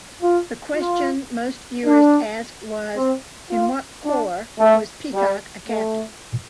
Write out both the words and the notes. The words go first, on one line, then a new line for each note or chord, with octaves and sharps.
The question most viewers asked was: in what corps was Peacock a captain?
F4
F4
D4
C4
F4
D4
A3
G3
A3